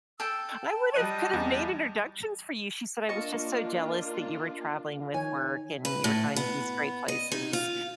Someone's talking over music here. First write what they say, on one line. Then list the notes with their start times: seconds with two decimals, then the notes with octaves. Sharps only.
"I would have could have made introductions for you," she said, "I was just so jealous that you were traveling with work, and you were going to these great places,
0.20 A4 G5 E6
0.59 A5
0.94 G3 D#5 F#6 D#7
1.33 E2
3.09 A#3 D4 F4 D#5 A5 C#6
5.14 D#3 C#5 G#5
5.85 B4
6.04 A2
6.36 B3
7.08 D#5
7.32 D#4
7.53 F4